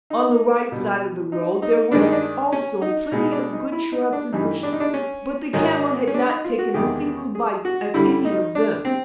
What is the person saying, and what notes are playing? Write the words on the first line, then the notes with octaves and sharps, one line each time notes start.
On the right side of the road there were also plenty of good shrubs and bushes, but the camel had not taken a single bite at any of them.
D#4
B2 G3
D#4
D#4
G2 D#3 G#3 D4
D#4
D4
C#4
D#4
B2 G#3 D#4
D4
D#4
E4
D#4
D4
G2 E3 G3 D#4
D4
D#4
D4
C#4
G#2 D#3 F#3
C#4
D4
D#4
F4
F#4
E2 C3 D#3 G#3 G4
G#4
F#4
G2 D3 G3 E4
D#4
D4
C4